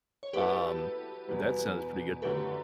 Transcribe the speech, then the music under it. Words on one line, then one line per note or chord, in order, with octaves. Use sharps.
um, but that sounds pretty good.
C#5
F#3 B3 E4 G4 A4 B4
E2 B2 G3 B3
F#2 D3 A3 G4 B4